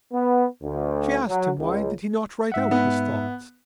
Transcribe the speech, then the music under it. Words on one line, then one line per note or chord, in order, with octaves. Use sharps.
She asked him why did he not write out his thoughts.
B3
D2
F#3
C#2
G#2 E5 F#5
B3